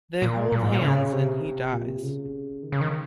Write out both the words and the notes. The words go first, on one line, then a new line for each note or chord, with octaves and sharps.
They hold hands and he dies.
A#2
A#2
G#2
A#2
C#3
C3
A#2
C3
C#3
D#3
C#3
D#3